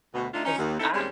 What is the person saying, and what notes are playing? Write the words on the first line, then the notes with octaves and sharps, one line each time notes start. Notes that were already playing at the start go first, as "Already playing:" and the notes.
'Cause I
D2 B2
D3 A3 D4 D#4 F4
F3 C#4 D#4
D#2
C4 D#4 E4 A4
D#2 G3 G#3 C4 C#4